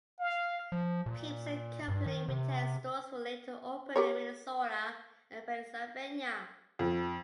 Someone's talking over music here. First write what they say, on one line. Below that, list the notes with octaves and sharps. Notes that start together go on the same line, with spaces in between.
Peeps and Company retail stores were later opened in Minnesota, and Pennsylvania.
F5
F3
A#2
G2
D#3
C3
G4 A#4 C#5
F2